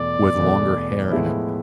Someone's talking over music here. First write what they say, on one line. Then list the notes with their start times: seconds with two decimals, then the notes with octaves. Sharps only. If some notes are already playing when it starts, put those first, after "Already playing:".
with longer hair and a p
Already playing: E2 B2 A3 D5
0.39 E2 B2 A3
1.11 A2 F3 G#3 B3 E4